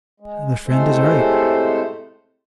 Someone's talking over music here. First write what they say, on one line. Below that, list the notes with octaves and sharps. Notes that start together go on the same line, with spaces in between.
The friend is right.
G#3
A2 C3 G#3 A3 A4 C5